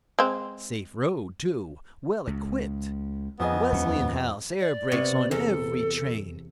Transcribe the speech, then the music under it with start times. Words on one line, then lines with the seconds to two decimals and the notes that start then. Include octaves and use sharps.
Safe road, too; well equipped; Wesleyanhouse air brakes on every train.
0.19 G#3 C4
2.27 C#2
3.39 F2 B3 G#4 D#5
3.72 D#2 G3 C#4
4.60 D5
4.92 C3 B3 C#5
5.31 E2 A4